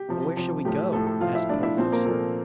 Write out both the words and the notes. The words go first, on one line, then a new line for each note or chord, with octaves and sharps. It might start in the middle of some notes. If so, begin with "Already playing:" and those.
"But where shall we go?" asked Porthos.
Already playing: G4
C3 F3
C3 F3
A2 F3 G4
A2 F3 A4
A4
A2 F3 F4 F5
E4 E5
A2 F3 D4 D5
E4 E5
A#2 F3 C4 C5
A#3 A#4
A#2 F3 A4